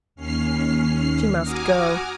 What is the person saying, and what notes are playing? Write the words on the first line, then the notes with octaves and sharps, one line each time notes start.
She must go.
D#2 C#4 F6 C7
F#4 G#5 A#5 D6 D#6 F6